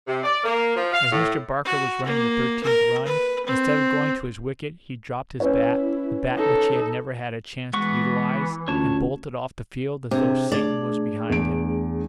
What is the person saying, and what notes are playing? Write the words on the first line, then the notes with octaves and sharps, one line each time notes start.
As Mr. Barker was running the thirteenth run, instead of going to his wicket he dropped his bat--the bat which he had never had a chance to utilise--and bolted off the field as though Satan was behind him.
C3
D5
A#3
F3
F5
A2
F#4
A#3
A#4
B4
C4
C#4 E4 B4 C#5
D#4 A4
E3 G#3 B3 F#4 C#6
D2 C#4 F4 C#5 A5
C3 D4 G#4
A3 D4 G#4 D5
E2 D7